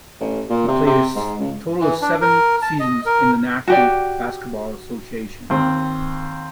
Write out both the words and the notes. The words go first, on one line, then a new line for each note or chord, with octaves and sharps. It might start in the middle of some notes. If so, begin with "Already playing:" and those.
He played a total of seven seasons in the National Basketball Association.
A1
A#2
C3
C3
G#2
C#2
E3
D4
A#4
A5
D#5
A#4
F#4 G4 D5
D#2 C4